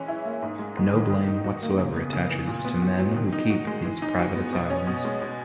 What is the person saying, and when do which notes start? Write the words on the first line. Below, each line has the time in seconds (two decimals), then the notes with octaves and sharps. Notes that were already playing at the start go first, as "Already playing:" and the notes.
No blame whatsoever attaches to men who keep these private asylums.
Already playing: E3 G#3 C#4
0.08 E4
0.26 A#3
0.42 G#2
0.59 G#3
0.77 G#2
0.94 D#3
1.10 D#3
1.27 D#4
1.44 F#4
1.63 A#3
1.78 C#3
1.96 B3
2.13 C#3
2.31 E3
2.47 A#2
2.65 B3
2.82 F#4
2.99 F#3
3.16 D#3
3.33 D#4
3.50 F#4
3.67 G#3
3.85 E3
4.02 D#4
4.19 F#4
4.35 B3
4.53 B2
4.70 C#4
4.87 B2
5.05 G#3
5.22 B2